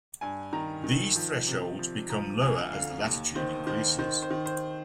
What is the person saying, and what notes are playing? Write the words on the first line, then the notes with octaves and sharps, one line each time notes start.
These thresholds become lower as the latitude increases.
G2 G#5
D#3 A#5
D#3
F3
C3
F3
F3 A#5
D2 G#5
D3 F5
D#2
D#3 C5
D#3 C5
D#3 C5
C5
D#3
C5